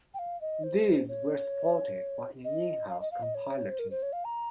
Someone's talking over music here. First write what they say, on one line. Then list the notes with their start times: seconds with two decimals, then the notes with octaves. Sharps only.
These were supported by an in-house compiler team.
0.14 G5
0.19 F5
0.41 D#5
0.64 C5
1.08 C#5
2.45 D#5
2.89 F5
3.01 D#5
3.12 F5
3.23 D#5
3.35 C#5
3.70 C5
3.79 A#4
3.91 C5
4.03 C#5
4.13 F5
4.25 A#5